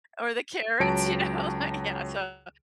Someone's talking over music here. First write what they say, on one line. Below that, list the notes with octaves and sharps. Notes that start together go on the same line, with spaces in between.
or the carrots, you know, like, yeah, so
C#2 F#3 A5 D7